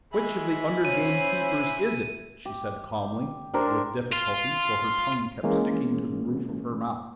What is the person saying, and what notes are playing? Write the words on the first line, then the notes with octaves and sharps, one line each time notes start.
"Which of the under-gamekeepers is it?" she said calmly but with difficulty, for her tongue kept sticking to the roof of her mouth.
G#3 E5 G#5 B5
C#4 C5 D#7
G4
D4 G4 A#4 C5
F4
E3 G#3 A#3 C#4